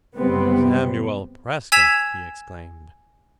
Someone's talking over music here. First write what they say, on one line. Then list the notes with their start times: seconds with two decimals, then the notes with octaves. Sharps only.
"Samuel Prescott!" he exclaimed.
0.16 F#1 C3 G3 B3 C4
1.72 G#5 E6 G#6 B6 E7 F7